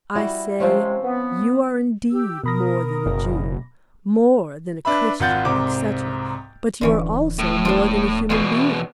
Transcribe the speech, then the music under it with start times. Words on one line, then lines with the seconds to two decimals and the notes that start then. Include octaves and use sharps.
I say: You are indeed more than a Jew, more than a Christian, etc., but you are also more than a human being.
0.15 G3 E4 F#4
0.60 C3 F3 G#3 C4 C#4
1.04 B3
2.12 G4 E6
2.44 B2 A#4 B5 D#6 A#6
3.06 F#1
4.85 D4 B4 E5 B5
5.20 G#1 F4 F#5 G6 A6
5.45 C2 G#2 C4 D6
6.81 D1 D3 E3 C#4
7.39 A2
7.65 F3 B3 D4
8.30 E2 B2 F4 G#4